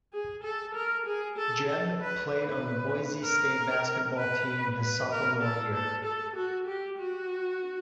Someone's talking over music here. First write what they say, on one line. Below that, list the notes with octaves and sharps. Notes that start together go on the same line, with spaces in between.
Jeb played on the Boise State basketball team his sophomore year.
G#4
A4
A#4
G#4
A4
A4
B4
B4
A#4
B4
B4
A#4
A4
A4
A4
F#4
G4
F#4